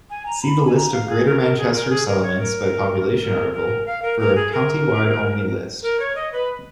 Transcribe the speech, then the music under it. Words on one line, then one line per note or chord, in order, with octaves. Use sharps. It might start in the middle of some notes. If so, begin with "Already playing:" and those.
See the List of Greater Manchester settlements by population article for a countywide-only list.
G#5
A#5
B5
G#5
A#5
F5
G#4
A#4
A#4
G#4
A#4
G#4
A#4
C#5
A#4
A#4
A#4
F5
A#4
A#4
G#4
A#4
A#4
C#5
D#5
B4